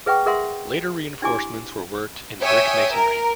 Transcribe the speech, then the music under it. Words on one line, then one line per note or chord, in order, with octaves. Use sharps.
Later reinforcements were worked in brick masonry.
G#4 B4 E5 F#5 G5 C#6
G#4 A#4 E5 F#5 C6
D4 E4 G4 G#5 D6
C#5 E5 G5 G#5 D#6 E6
A#4